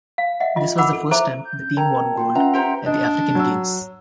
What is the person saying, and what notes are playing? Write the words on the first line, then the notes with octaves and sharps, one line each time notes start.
This was the first time the team won gold at the African Games.
F5
D#5 E5 F#5
F4 D#5
A#4 F#5 B5 D6 E6
A4
E4 A4 C5 E5 D6
G6
A#4 G5 A5 A#5 G#6
F4 G5 C6
C#4 B4 E5 F#5 A#5
G4 C5 A#5 C#7 D7
D4 D#5
F#3 E6